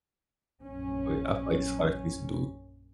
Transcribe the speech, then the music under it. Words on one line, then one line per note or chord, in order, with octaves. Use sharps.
but, I finds finds things to do.
A#1 F#2 C#4